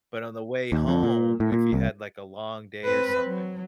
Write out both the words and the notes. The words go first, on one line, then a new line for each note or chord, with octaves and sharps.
but on the way home, if you had, like, a long day or something,
D#2
F2
A#2
A2
A#2
C2
C4 B4
F#3